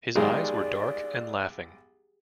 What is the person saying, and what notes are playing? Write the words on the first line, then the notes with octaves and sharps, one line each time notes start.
His eyes were dark and laughing.
B1 D#3 G#3 G4 G#4 D5